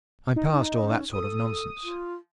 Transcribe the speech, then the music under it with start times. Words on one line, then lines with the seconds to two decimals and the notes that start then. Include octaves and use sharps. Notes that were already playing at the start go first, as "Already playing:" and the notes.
I'm past all that sort of nonsense.
0.36 D#4
0.80 C#4
1.13 A4 D#6
1.84 F4